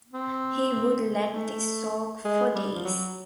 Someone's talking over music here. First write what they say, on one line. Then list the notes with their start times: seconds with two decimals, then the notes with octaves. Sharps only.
He would let this soak for days.
0.14 C4
1.33 A3
2.25 G#3
2.55 G3
2.75 F3
2.85 F#3